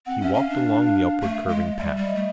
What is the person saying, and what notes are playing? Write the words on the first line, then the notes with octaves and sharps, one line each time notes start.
He walked along the upwardcurving path.
C4 F#5
C#4 E5
C#4 F5
D4
A3
G#3
G3 E5
G3
D#5
A3